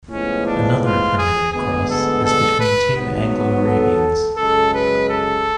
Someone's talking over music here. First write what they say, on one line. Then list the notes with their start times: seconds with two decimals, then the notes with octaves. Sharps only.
Another permitted cross is between two Anglo-Arabians.
0.10 A2 F3 G#3 B3 C#4
0.46 D4
0.81 F4
1.17 G#4
1.52 D2 D3 G#3 B3 G#4
1.88 A4
2.24 A4
2.59 B4
2.95 G#2 F#3 B3
3.66 A4
4.37 F#2 C#3 G#3 A4
4.73 B4
5.09 A4